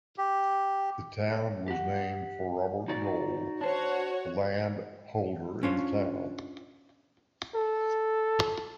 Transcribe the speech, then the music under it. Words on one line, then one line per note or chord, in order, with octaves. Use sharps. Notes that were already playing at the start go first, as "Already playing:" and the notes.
The town was named for Robert Gould, a landholder in the town.
G4
G4 F#5
D#4 F#4 D5
D4 F#4 C5 C#5
C#4 D4 F4 C5 C#5
A4